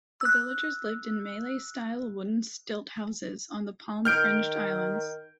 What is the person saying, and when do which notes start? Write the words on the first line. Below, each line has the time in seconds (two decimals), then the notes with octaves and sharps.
The villagers lived in Malay-style wooden stilt houses on the palm-fringed islands.
0.21 E6 F#6
4.05 D#3 F6 G6 D7